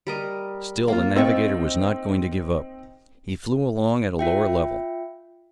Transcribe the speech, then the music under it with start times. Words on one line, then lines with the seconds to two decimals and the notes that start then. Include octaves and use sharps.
Still the navigator was not going to give up. He flew along at a lower level.
0.07 G3 A#4 D#5
0.88 A#3 F4
1.16 C4 D#4 A4 C#6
4.19 F4 E5 G5